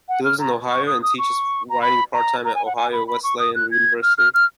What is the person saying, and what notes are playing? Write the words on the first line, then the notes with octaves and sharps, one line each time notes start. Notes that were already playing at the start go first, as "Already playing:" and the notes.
He lives in Ohio and teaches writing part-time at Ohio Wesleyan University.
F#5
F6
A#5
C#6
D#6
D#6
C#6
A#5
B5
A#5
A#5
G#5
F#5
G#5
B5
B5
C#6
D#6
F#6
G#6
F6
F6
F6